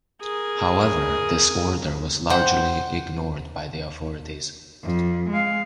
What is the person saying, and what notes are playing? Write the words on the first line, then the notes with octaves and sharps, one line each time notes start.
However, this order was largely ignored by the authorities.
G#4 A#4
C5 F#5 G5
F2
G#3 F5